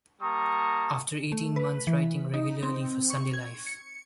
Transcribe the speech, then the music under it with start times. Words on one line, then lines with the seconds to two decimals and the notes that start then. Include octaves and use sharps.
After eighteen months writing regularly for SundayLife!
0.22 G3 A#3 A5 A#5 C#6 D#6
1.32 A3
1.56 B4
1.87 E3
2.34 D#4
2.63 C4
3.10 C#6
3.33 G#6
3.67 C#7